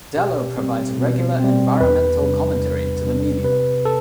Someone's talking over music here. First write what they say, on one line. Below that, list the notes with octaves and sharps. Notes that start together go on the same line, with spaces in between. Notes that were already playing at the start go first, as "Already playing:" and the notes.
Dello provides regular environmental commentary to the media.
B2 G4
G3 C4
B2
G3 C4
E2 B4
C3 G3 D4
E2
C3 G3 D4
C3 B4
A4